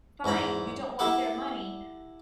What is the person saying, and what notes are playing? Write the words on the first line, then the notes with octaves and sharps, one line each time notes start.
fine. You don't want their money.
E2 G#2 A#5 B5
E4 G4 A4 F#5